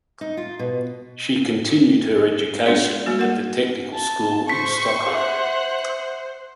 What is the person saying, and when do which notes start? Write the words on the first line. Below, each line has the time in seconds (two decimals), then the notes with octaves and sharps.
She continued her education at the Technical School in Stockholm.
0.21 D#4
0.37 F4
0.59 B2
2.66 G#3 D4 C#5 D5
3.06 G3 A#3 F#4
3.19 A#4 F#5
3.93 A5
4.50 C5 C#6 B6
5.15 E5 F#5